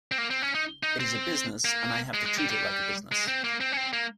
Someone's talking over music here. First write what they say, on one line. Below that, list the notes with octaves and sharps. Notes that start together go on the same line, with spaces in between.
It is a business, and I have to treat it like a business.
C4
A#3
C4
C#4
D#4
D#4
C4
A#3
G#3
G#3
G3
G3
G#3
C4
A#3
C4
C#4
C4
A#3